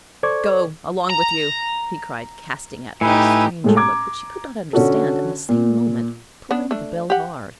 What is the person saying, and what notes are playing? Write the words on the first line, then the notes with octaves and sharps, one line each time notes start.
"Go along with you!" he cried, casting at her a strange look which she could not understand, and the same moment pulling the bell hard.
A4 C5 D5 C#6 D6 G#6
A#5
A2 D#4 G4 B4 E5 G#5
A2 G#3 A3
A#5 D6 G#6
D3 C#4 F#4 A4
A#2
B3 D4
A3 D4
G4 F#5